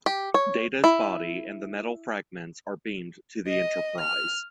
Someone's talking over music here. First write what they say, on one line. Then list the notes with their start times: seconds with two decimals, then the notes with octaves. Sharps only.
Data's body and the metal fragments are beamed to the "Enterprise".
0.06 G4
0.34 C#5
0.84 E4
3.48 D#5
4.00 F6